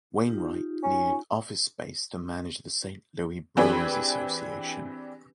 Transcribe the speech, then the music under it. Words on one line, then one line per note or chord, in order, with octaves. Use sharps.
Wainwright needed office space to manage the Saint Louis Brewers Association.
D#4 F4 G4
C#4
E3 C4 D4 G4 G#4 B4